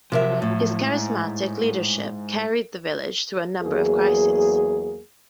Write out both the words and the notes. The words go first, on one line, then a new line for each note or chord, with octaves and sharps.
His charismatic leadership carried the village through a number of crises.
C3 F3 F#3 A#4 E5
A2
G#2
E2 F#3 A#3 G#4